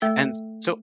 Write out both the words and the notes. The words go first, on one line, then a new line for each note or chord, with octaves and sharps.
And so
A3 A4 E5 E6